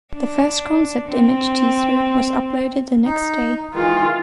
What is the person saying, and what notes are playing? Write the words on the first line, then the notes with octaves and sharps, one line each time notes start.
The first concept image teaser was uploaded the next day.
D4
C4
D#4
D#3 E3 G#3 F4